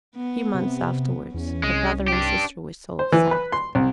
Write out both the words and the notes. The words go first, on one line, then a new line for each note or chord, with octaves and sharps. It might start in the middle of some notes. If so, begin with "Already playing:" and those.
A few months afterwards a brother and sister were sold south.
B3
C3
E2 C#4
C2 G#3
D4 G4
C5
E3
B4
C6
C2